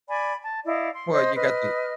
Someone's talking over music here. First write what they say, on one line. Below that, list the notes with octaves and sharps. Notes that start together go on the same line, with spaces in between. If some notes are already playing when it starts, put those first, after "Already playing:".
Well, you got the
D5 G#5 B5
A5
E4 D5 D#5 F5
C6
C5 D#5
B4 D#5 F6